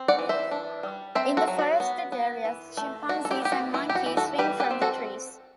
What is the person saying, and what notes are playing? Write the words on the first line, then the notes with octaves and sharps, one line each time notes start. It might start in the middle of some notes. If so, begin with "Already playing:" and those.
In the forested areas, chimpanzees and monkeys swing from the trees.
Already playing: C4
D5 F#5
E3
C5 E5
D4
G3
C4 C5 E5
F#4 A4
F#3
F#4
B3
B3
E3
A3
D4 F#4
A4
E4 G4
B3 G4
F#4
E3 E4
G4
F#4
E3
F#4 A4
G3 G4 B4
G4 B4
C4
F#4 A4